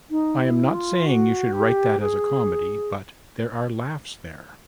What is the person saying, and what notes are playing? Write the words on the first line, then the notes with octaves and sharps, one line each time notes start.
I am not saying you should write that as a comedy, but there are laughs there"".
D#4
E4
F4
F#4
G4
G#4